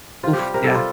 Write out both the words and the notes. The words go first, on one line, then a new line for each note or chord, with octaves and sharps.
Oof. Yeah.
C3 F4
G4
G3
C3 A#4
A4
G3
F4